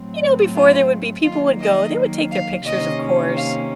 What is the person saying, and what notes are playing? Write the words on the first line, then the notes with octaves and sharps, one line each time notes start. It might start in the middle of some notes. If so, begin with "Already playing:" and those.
you know, before there would be people would go, they would take their pictures, of course,
Already playing: A2 F#3 A3 C4
F4
D#3 F#3 A#3 F4
D#5
F5
C3 D#3 A#3 C#4 D#5
F5